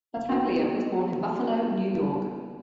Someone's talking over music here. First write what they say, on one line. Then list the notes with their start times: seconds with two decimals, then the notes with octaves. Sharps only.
Battaglia was born in Buffalo, New York.
0.29 A#3 B3 D#4 F#4